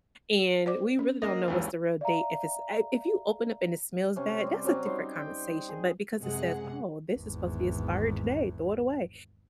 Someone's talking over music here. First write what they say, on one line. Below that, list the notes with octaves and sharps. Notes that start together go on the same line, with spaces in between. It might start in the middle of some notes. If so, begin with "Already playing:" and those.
and, we really don't know what's the real date if it's eh if you open up and it smells bad, that's a different conversation, but because it says, "Oh, this is supposed to be expired today, throw it away."
C5 D5 D6
C#4
A#3 D#5
G#1 D#2 E3
D5 E5 F5 A#5
C3 C#4 C#5
G3 C4
F#3 C4 C#4 F#4
G3 D#4 C5
G5
G#4
F#2 C3 G#3 G#4 F#5
G#1 E2